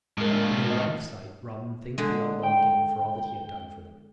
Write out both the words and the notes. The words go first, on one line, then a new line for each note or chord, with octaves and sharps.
When they were out of sight, Robin thanked the outlaw again for all that he had done for them.
A2 G#3 F4 A#4
A#3 D4 E5
D#5
D3 G#3
G5